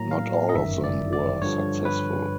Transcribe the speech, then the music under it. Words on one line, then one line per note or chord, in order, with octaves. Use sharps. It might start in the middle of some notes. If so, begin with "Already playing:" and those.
Not all of them were successful.
Already playing: A2 F#3 A#3 A#5
F5
D#5
G1 F#2 D#3 E5
D5
D5
G2 D3 F3 C#5
B4